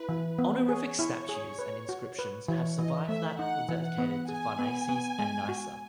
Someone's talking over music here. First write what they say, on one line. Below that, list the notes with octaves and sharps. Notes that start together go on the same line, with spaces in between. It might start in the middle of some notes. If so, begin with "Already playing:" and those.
Honorific statues and inscriptions have survived that were dedicated to Pharnaces and Nysa.
Already playing: E4 B4
E3
B3
G#4 C#5
E4
G#4
B4
F#4
B4
E3 C#5
E3 D#5
A3 E5
D#4 F#5
E3
F#5
B3
G#4 G#5
B3
B3
G#3
F#4